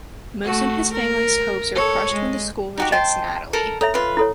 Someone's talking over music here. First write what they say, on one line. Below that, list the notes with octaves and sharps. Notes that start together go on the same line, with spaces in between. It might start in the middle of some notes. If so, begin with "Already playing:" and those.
Moose and his family's hopes are crushed when the school rejects Natalie.
A3 F#4
A#4
A4 C#5
G#3
D#4 F#4 G4
C5 D#5 G5 A5
A4 A#4 A#5
A4 C#5 E5 A#5
F4 B4
E4 A4 C#5